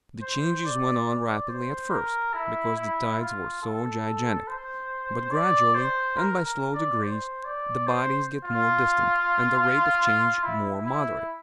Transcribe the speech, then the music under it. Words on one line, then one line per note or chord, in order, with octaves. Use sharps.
The changes went on rapidly at first, because the tides were so gigantic; but gradually, and by slow degrees, the bodies get more distant, and the rate of change more moderate.
C5
D5
D5
C5
A#4
E4
E4
F4
A4
C5
D5
C5
A#4
A#4
D5
C5
D5
C5
F4
E4
E4